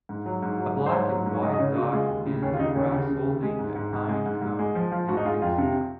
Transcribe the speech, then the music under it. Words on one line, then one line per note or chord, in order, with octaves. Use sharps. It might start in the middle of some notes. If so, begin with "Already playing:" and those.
A black and white dog in the grass holding a pine cone in its mouth.
G#2
F#3
G#2
F#3
G#2
C5
G#2 C#5
F#3
G#2
C#5
G#3 D#5
D#5
C#3 C#5
C#3 F#4
G#3 F4
D#2
C#3
D#2 C#4
F4
C#3 D#4
D#2 C#4
C#3
C#3
D#2
G#3
G#2
G#2
G#2
G#3
G#2
G#2
G#3
F3
F3 F4
G#2 F#4
D#4
G#3 F4
F2 F4
C3